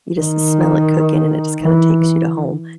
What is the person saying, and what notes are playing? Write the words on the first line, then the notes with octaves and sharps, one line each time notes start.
you just smell it cooking and it just kinda takes you to home.
D#3
E3